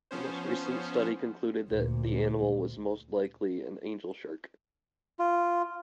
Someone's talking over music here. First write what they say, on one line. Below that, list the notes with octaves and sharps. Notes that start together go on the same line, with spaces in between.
The most recent study concluded that the animal was most likely an angelshark.
F3 B3 C#4 C5
D2 A#2
F4